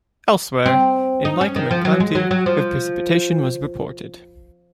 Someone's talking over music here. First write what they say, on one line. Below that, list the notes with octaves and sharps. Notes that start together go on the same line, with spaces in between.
Elsewhere, in Lycoming County, of precipitation was reported.
C4
D#4
C#4
D#3
F3
F#3
G#3
F#3
F#3
F3